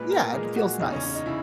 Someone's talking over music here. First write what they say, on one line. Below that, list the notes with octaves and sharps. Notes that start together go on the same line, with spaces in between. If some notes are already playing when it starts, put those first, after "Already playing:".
Yeah, it feels nice.
Already playing: A#2 G#3 B4
A#4
A#2 G#3 G#4
F#4
E2 C#3 E3 D#4
C#4
C#4
D#4
C#3 E4